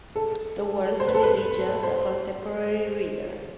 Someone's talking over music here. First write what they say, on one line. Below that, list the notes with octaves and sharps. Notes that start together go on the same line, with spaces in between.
The World's Religions : A Contemporary Reader.
A4
C5
B4
A4
B4
C5